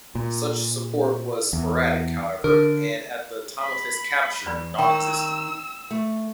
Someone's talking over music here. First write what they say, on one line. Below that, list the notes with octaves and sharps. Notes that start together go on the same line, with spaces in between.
Such support was sporadic, however, and, at the time of his capture, non-existent.
A#2
E2
D3 A#4
B5
E2 D5 B5
D#3 G5 C#6 E6
A3